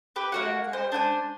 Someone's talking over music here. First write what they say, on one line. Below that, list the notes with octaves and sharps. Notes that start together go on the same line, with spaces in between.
And, um,
G4 B4
A#3 F#4 F#5
C5
D4 C5 G5 G#5